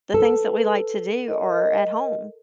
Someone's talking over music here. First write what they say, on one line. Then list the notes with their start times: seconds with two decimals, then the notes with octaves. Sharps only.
the things that we like to do are at home,
0.14 A4 B4
1.28 A#4 D#5